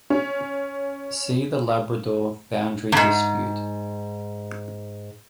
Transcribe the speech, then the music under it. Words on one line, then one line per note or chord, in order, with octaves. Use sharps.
See The Labrador boundary dispute.
C#4
E2 G#2